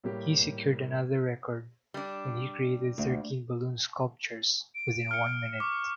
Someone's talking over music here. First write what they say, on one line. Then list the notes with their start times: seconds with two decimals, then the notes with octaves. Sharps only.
He secured another record when he created thirteen balloon sculptures within one minute.
0.04 A2 G3 A#3 G4
1.94 G3 D4
2.98 D2
4.75 D7
5.11 F6 C#7
5.60 C#6 D6